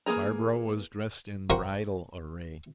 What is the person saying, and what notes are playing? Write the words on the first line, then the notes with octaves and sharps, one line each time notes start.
Barbara was dressed in bridal array.
E3 A#3 D4 G#4 A#5
F4 F#4 A#4 C5 F#5 G5